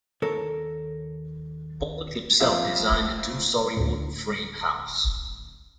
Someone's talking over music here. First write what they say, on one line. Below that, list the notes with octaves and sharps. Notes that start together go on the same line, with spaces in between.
Baldwin himself designed the two storey wood frame house.
D#2 A4 A#4 C#5
F2 F3 A#3 E5 F5
D2 A2